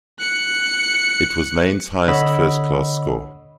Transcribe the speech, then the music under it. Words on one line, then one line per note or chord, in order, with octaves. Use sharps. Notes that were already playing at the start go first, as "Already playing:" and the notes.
It was Mayne's highest first-class score.
F#6 C#7
D3 C#5 D#5 F#5 B5 E6